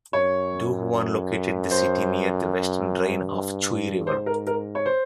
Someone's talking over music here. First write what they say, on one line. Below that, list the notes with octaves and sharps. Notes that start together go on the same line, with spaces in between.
Du Huan located the city near the western drain of the Chui River.
F#2 C#5
F#2
C5
G2
G#2 C5
A#4
A#4
C#5
C5